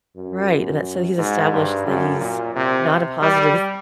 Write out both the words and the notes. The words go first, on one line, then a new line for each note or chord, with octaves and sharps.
Right, and that so he's established that he's not a positive s
F#2
G#2
G2
F#2
A#2
C3
G3